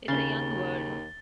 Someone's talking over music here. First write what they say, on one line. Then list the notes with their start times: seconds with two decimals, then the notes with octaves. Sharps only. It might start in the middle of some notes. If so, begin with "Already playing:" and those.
It's a young word.
0.08 D#2 C#3 A6 G7